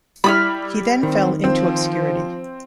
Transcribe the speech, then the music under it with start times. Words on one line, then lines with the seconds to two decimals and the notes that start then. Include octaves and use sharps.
He then fell into obscurity.
0.24 G3 E4 G4 B5 D#6 F6
1.03 D#3 C4
1.44 F3 C4